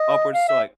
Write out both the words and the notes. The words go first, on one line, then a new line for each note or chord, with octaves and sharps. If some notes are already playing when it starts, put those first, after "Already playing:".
upwards to, like,
Already playing: D#5
F5
E5